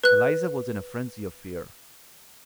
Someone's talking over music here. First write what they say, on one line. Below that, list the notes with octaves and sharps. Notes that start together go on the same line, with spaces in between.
Eliza was in a frenzy of fear.
B4 F#6